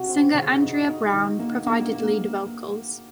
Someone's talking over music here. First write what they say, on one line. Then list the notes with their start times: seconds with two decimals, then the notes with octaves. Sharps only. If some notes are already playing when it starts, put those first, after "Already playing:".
Singer Andrea Brown provided lead vocals.
Already playing: C3 F#4
0.08 C4
0.35 C#3
0.60 D#4
0.87 D#4
1.13 D#3
1.39 A#3
1.67 A#3
1.93 A#3